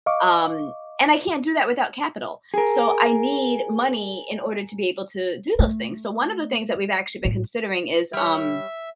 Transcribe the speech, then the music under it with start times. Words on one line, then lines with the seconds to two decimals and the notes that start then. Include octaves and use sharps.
um, and I can't do that without capital, so I need money in order to be able to do those things. So one of the things that we've actually been considering is, um
0.06 D#5 F5 C#6 D6
2.54 G#4 A#4
5.59 A3
7.25 A2
8.13 G3 C#5 E5